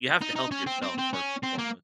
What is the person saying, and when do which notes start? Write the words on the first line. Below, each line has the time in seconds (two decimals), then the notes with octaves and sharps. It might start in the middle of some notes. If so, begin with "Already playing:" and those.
you have to help yourself first and foremost.
0.21 D#4
0.36 D#4
0.51 C#4
0.66 C4
0.82 C4
0.98 C4
1.13 C#4
1.43 C4
1.58 A#3